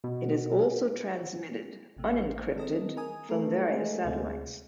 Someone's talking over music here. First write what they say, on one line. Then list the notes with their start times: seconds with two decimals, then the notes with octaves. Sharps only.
It is also transmitted unencrypted from various satellites.
0.04 B2
1.97 A1 C3 A3
2.56 D#3 G#3 C4 A4 D#5
2.97 A#4 G#5 D#6
3.29 A3 F4 A#4 B4
3.67 G#3 A3
4.05 D2 C3 C4